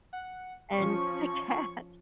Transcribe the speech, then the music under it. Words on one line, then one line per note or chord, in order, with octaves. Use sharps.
and the cat,
F#5
F3 C#4 C#6